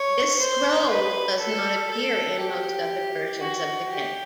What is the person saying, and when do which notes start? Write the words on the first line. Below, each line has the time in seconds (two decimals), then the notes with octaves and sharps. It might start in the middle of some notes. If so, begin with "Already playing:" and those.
This scroll does not appear in most other versions of the game.
Already playing: C#5
0.40 C5
0.90 B4
1.40 A4
1.91 A4
2.40 G4
3.41 F#4
3.90 G4